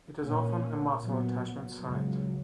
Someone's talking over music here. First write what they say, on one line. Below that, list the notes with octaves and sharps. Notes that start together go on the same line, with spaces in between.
It is often a muscle attachment site.
A#2 A#3 C#4
A#2 F#3 B3
C#2 C#3 F#3